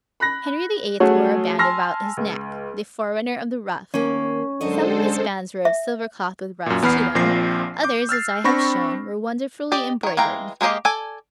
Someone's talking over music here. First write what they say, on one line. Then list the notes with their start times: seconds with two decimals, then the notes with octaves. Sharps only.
Henry VIII. wore a band about his neck, the forerunner of the ruff. Some of his bands were of silver cloth with ruffs to them, others, as I have shown, were wonderfully embroidered.
0.20 B5 F#6 A#6
1.00 F#3 A3 C#4 F#4 G#4
1.59 G#5 A5 C6 E6 F6 A#6
2.17 C#2
3.94 D#2 A#3 C#4
4.61 F#2 D3 G#3 A4 C5 C#5 D#5
5.65 E5
6.66 F#2 A#2
6.82 E2 B3 B5 F6 C7
7.15 A#1 A#2 F3 C4 A#6 C7
7.83 D6 G6
8.09 E6 F6 A6 C7
8.44 C4 D4 B5 C#6 A#6
9.72 G4 D5 D#5
10.03 D#3 C#5
10.17 E3 G#3 F5 G5 A#5
10.61 G#3 A#3 G4 D#5 F5
10.85 A4 D5 G#5